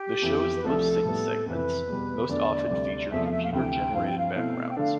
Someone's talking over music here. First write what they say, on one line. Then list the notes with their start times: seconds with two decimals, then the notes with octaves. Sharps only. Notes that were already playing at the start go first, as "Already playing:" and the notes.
The show's lip-sync segments most often featured computer generated backgrounds.
Already playing: G4
0.22 F2 E3 B3 E4
0.57 B4
0.64 C2 C3 F3 A3 A4
1.05 A2 G3 B3
1.46 F2 C3 E3 B4
1.87 E2 B2 G3
2.29 E2 D3 A3 D4 D5
2.70 D2 C3 G3
3.11 E2 C3 F3 A3 E5
3.24 F5
3.32 E5
3.43 F5
3.53 D2 C3 E3 G5
3.93 G2 F3 C4 E4 F5
4.06 G5
4.17 F5
4.35 B2 A3 C4 E4
4.70 G5
4.76 D3 A3 D4 F5